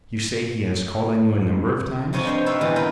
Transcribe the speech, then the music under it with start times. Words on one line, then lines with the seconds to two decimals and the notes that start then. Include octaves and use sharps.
"You say he has called on you a number of times?"
2.13 F2 C3 F3 C#5 D#5 A5
2.25 G2 C5 C#5
2.46 C4 D#4 F4 B4 C#5 E5
2.61 E2 B2 E3 G4 G#4 A5
2.76 C4 D#4 F4 A#4 B4